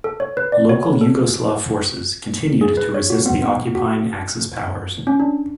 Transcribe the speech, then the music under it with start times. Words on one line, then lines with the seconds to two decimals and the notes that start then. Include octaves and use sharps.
Local Yugoslav forces continued to resist the occupying Axis powers.
0.04 A4
0.20 C#5
0.37 B4
0.52 D5
0.69 C#5
1.01 A4
2.61 G#4
2.77 B4
2.94 C#5
3.10 F#4
3.26 B3
3.42 B3
3.75 F#4
5.07 C#4
5.20 D4